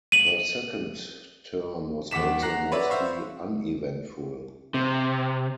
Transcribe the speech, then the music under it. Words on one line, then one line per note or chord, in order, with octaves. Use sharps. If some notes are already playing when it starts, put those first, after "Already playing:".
Her second term was also mostly uneventful.
D#7 F#7
D#2 F#5 D6 B6 E7
F#5 A#5 F#6 A#6 C7
B4 C#5 D5 E5 F#5
C5 E5 F5 C#6
C3